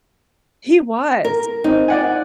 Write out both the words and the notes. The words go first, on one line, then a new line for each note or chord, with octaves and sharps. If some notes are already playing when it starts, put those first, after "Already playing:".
He was.
A#4
C4 D#4
D5 F#5 G#5